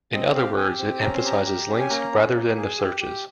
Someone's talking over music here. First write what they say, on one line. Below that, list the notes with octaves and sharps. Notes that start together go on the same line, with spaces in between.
In other words, it emphasizes links rather than the searches.
C4 D#5
G4 F5
G4 G#5
C4
C#4 A#5
C6
G4 A#5
G4
C#4
G#5
A#3 A#5
C#4
A#3
G#4
G4
G4